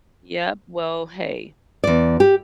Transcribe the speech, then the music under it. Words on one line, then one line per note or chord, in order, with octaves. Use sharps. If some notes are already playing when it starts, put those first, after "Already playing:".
Yup, well hey,
E2 D5
G4